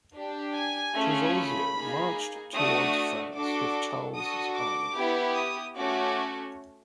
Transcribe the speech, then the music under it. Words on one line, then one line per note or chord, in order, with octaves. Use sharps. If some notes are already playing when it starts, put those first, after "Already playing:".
Trivulzio marched toward France with Charles' army.
D4 G4
G#5
A3 C#4 F4 G#4
B5
A#3 D#4 G#4
A3 D4 F#4 D#6
D4 F#4 A4 D6
D4 F#4 A4 D#6
D6
B3 E4 G4
D#6
A3 C#4 F#4 D6